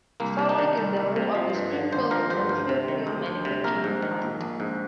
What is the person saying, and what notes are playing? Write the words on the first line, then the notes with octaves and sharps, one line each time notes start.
Salwick is the home of the Springfields nuclear fuel manufacturing plant.
C2 A#3
C3
D#4
D#3
C2
C2
C3
F3
G2
D3
G#1 C5
F3 A#4
G2 C5
D2
C3
D#3
D2
D2
C3
A#1 A#4
G#2
D#3
A#1
A#1
G#2